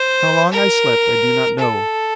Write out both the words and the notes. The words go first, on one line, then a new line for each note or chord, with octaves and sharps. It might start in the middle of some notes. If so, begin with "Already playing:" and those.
How long I slept I do not know.
Already playing: C5
A#4
A4